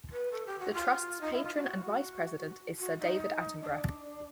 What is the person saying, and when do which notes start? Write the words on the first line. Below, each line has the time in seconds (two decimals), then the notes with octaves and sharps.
The trust's patron and vice-president is Sir David Attenborough.
0.12 B4
0.31 A4
0.46 G4
0.59 F#4
0.73 F4
1.21 D#4
1.33 E4
1.44 F4
1.55 F#4
2.79 F#4
2.99 D#4
3.61 D4